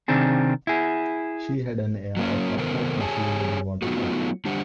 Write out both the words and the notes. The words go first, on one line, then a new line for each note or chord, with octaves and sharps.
She had an air of uptightness you wouldn't want to cross.
C3 D#3 C4 D4 G#4
E4 G#4
F#3 A#3 C#4
C3 D#3 B3 A4 A#4 C5
G4 G#4 C#5 G#5 A5
F#3 A3 B3 D#4 F4 F#4
D3 G3 D4 G4 C5 F#5